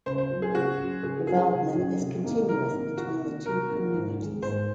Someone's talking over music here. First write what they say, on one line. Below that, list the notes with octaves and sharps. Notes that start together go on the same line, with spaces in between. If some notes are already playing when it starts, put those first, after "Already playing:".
Development is continuous between the two communities.
C#3 C5
C5
F#3 C#4 F#4
G#4
C#3 F#4
F#3 C#4 F#4
C#3 G#4
F#3 C#4 F#4 G#4
C#3
F#3 C#4 F#4
C3
D#3 A#3 D#4
C3 A#4
D#3 A#3 D#4
C3 F#4
D#3 A#3 D#4
C3 A#4
D#3 A#3 D#4
G#2
D#3 G#3
G#2 C5